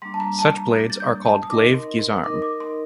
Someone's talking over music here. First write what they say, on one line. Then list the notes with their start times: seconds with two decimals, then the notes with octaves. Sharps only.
Such blades are called glaive-guisarmes.
0.02 G3 A#3 D4 C6
0.14 A5
0.20 A#5
0.39 A5
0.57 A#5
0.75 G3 A#3 D4 G6
0.90 A6
1.00 G6
1.25 A5
1.43 D#6
1.49 D#4 A#4 D#5 D6
1.74 C6
1.99 C6
2.24 D#4 A#4 D#5 D6
2.42 D6
2.60 C6